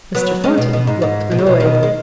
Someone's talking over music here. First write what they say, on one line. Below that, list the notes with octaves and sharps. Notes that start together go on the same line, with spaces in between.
Mr. Thornton looked annoyed.
F#3 B3
G#3 C#4
B2
B2
G#2
G#2
B2
C#3
B2
B2 D#3
G#3